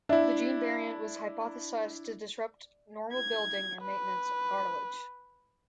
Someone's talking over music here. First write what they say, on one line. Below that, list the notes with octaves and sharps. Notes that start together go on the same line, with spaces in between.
The gene variant was hypothesized to disrupt normal building and maintenance of cartilage.
D4 E4 D5 E5
G#6
B4